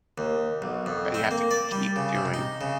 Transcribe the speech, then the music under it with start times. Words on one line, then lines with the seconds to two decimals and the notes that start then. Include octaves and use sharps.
That you have to keep doing.
0.18 D#2
0.62 B1
0.86 F2
1.14 C4
1.31 A#3
1.51 D5
1.72 G3
1.96 C#3
2.15 C3
2.34 D#4
2.61 C#3